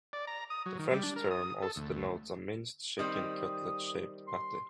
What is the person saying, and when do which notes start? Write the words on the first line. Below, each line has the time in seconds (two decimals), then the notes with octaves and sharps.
The French term also denotes a minced chicken cutlet-shaped patty.
0.13 D5
0.27 A#5
0.50 D#6
0.66 F#3
0.79 D#3
0.91 G3
1.03 D4
1.16 A#4
1.31 D#6
1.63 A4
1.76 D2
2.99 D#3 G3 C4 D#6
4.28 C6